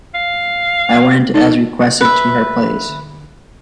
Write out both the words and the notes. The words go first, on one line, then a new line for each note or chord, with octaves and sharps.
I went as requested to her place.
F5
D#4 A4
B4 E5